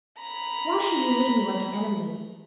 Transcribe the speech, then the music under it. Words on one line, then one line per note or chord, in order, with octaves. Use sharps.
Why should you meet me like an enemy?
A#5 B5